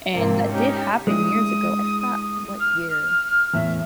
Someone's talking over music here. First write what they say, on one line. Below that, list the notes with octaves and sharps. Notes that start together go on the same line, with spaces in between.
and that did happen years ago I forgot what year
G#2 C3 A#3 C4 D4
C#4 D#4 G4
G#3 D4 E4 D#6
F6
E2 A2 E5